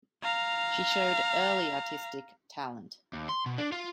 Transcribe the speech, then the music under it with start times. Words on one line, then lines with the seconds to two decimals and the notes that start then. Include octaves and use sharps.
She showed early artistic talent.
0.23 F5 A#5
3.13 D#2
3.29 C6
3.46 B2
3.58 D4
3.72 F4